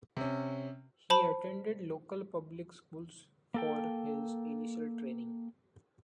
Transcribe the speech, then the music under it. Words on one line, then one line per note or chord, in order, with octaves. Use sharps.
He attended local public schools for his initial training.
C3 C#4
C5 A5 B5
A#3 A4 G5